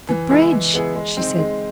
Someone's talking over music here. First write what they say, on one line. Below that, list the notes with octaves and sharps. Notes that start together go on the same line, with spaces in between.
"The bridge!" she said.
E3
G#3 B3 E4 G#4
E3
G#3 B3 E4 G#4
G#3
C4 D#4
G#3